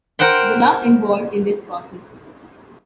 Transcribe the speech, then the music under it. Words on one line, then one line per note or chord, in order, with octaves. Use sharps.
The love involved in this process.
A#4 C5 F#5 G5 C6